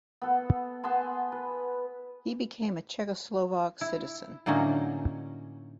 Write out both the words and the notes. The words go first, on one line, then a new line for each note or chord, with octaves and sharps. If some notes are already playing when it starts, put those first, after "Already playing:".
He became a Czechoslovak citizen.
B3 A4
B3 G#4 A5 C6
B4
E4
A2 D3 F#3 A#3 C#4 D#4